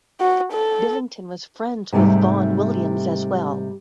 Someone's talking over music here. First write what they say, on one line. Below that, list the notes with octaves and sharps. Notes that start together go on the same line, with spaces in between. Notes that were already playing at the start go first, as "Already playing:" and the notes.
Billington was friends with Vaughan Williams as well.
F#4
A4
G#2 C3 G3 A3 D#4